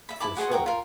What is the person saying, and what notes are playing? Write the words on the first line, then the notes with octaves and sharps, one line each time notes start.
For sure.
E5 B5
E4 A5 B5 D6
F#4 G#4 C5 F#5
F#4 G5 A#5
F4 A#4